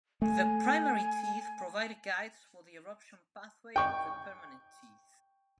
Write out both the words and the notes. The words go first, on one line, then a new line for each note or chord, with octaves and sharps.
The primary teeth provide guides for the eruption pathway of the permanent teeth.
A3 G#5
G5 C#6